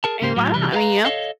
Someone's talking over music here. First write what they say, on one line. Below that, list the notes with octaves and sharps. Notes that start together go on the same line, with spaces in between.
I mean, why not? I mean, you know,
G#4 A#4 A5
G#2 C#3 E4 G4 C5
A2 F#3
C3 E3 G3
B4 C5 D#5 F5 A#5
A4 C#5 D#5 F5